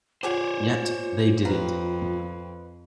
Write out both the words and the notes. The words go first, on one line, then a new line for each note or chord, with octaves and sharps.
Yet, they did it.
F4 G4 G#4 C5 C#5 F#5
F2 B4 F5 A#5